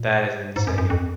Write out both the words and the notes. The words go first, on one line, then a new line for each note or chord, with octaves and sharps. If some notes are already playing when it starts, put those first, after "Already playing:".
That is insane.
Already playing: A#2
G#2
F#2
F#2
F2